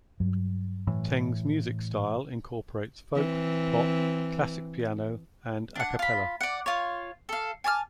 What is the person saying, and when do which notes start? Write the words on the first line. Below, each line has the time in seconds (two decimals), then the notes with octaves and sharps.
Teng's musical style incorporates folk, pop, classical piano, and "a cappella".
0.20 G2 F#3
0.87 A2 E3
3.15 E3 C4
5.75 D4 F#5
5.99 F4 B5
6.41 D5 F#5
6.66 F4 C#5
7.29 A4 F5
7.64 G#5 A5 D6 F6